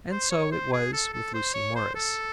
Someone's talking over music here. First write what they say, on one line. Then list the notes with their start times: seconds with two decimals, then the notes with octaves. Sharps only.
And so it was with Lucy Morris.
0.11 C5
0.31 C#5
0.52 C5
0.73 G#4
0.93 A4
1.13 A4
1.34 C5
1.54 C#5
1.75 C5
1.95 A4